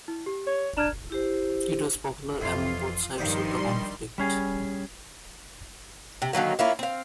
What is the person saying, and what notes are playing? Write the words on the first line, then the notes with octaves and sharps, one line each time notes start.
It was popular among both sides of the conflict.
E4
G4
C#5
D4 A#5 F6 G#6
E4 G4 C5
F2 E3 F4
G2 D#3 F3 G3 C5 D5 F5 C6
G3 C#4 G#4
C3
D3 D#3 F#3 A#3
A#3 C#4 E4 F4
C4 F5